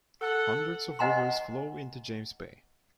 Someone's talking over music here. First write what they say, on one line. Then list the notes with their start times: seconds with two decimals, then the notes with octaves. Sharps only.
Hundreds of rivers flow into James Bay.
0.22 A4 F#5
0.99 C5 D#5 F#5 G#5 A#5 C6